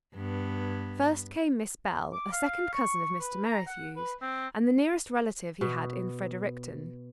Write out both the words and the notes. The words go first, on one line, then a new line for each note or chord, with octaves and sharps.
First came Miss Bell, a second cousin of Mr. Merrithew's, and the nearest relative he had in Fredericton.
G2 B3
D6
F5
C#6
B4
A#5
F#5
B4
C4
B2